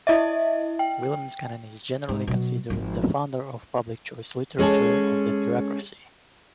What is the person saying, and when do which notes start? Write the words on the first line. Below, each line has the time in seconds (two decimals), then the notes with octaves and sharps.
William Niskanen is generally considered the founder of public choice literature on the bureaucracy.
0.07 E4 D#5 E5
0.79 G5
2.09 G#2
2.27 B2 F#3
2.70 G#1 F3
4.58 G#3 C#4 G#4 A4